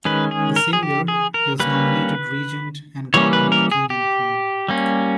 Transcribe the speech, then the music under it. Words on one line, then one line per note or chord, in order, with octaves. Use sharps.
The same year he was nominated Regent and Guardian of the King and Queen.
D#3 G#3 C#4 B4
G#4
A#4
G#4
G4
G#4
A#4
G3 A#3 C#4 B4
E3 G3 A#3 C#4 C#5
B4
A#4
G#4
G4
G3 A#3 C#4